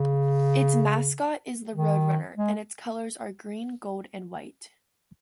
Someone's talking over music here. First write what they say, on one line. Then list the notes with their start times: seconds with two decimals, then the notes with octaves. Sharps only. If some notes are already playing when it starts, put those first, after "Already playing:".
Its mascot is the roadrunner, and its colors are green, gold, and white.
Already playing: C#3
1.74 D#3
2.37 G#3